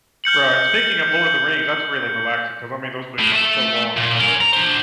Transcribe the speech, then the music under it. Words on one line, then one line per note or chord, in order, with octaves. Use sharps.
Right, speaking of, Lord of the Rings, that's really relaxing 'cause, I mean, those movies are so long, you know, that
F6 G6 C#7 F#7
A2
A3 E5
A#2
C#4 A#4
A#5
D4 C5